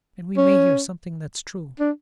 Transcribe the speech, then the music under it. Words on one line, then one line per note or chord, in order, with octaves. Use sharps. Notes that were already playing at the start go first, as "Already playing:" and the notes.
And we may hear something that's true.
C#4
D4